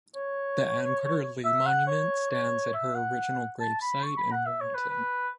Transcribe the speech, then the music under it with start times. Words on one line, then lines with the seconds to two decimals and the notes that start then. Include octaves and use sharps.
The Anne Carter Lee Monument stands at her original gravesite in Warrenton.
0.15 C#5
1.44 E5
1.66 F#5
1.87 C#5
2.30 C#5
2.74 E5
2.95 F#5
3.60 A5
3.81 B5
4.03 C#6
4.17 B5
4.32 F#5
4.46 E5
4.60 C#5
4.74 B4
4.89 B4